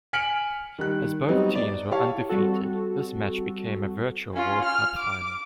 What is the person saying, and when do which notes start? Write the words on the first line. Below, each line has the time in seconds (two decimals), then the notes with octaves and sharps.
As both teams were undefeated this match became a virtual World Cup final.
0.13 G#5 F6 B6 C#7 D7 F#7
0.79 D#3 G3 F#6
1.28 F#3 G3 B3 C4 D#4
1.55 D5
1.91 E4 G4 C#5 F5 A5
2.29 G3 C4 F#4 A4
4.34 C#4 F4
4.65 F6
4.99 D6